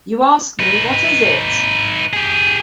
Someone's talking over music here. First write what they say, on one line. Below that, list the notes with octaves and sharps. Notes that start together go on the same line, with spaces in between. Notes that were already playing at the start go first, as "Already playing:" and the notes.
You ask me what is it?
D#4 B4
G4 G#4